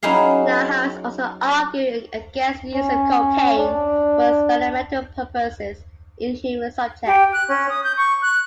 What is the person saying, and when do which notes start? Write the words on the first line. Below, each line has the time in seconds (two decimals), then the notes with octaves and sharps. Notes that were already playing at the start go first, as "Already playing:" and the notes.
Nahas also argued against the use of cocaine for experimental purposes in human subjects.
0.03 F#3 C#4 D#4 E4 G#4 F5
2.75 C#4
3.58 D4
7.06 G4
7.33 F#6
7.49 C#4
7.69 D#6
7.84 G6
7.97 C#6
8.22 F#6